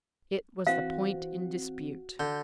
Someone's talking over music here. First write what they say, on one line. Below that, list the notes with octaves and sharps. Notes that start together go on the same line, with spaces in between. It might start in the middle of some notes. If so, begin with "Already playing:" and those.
It was the point in dispute.
E3 C4 F#4 F5
D3 G6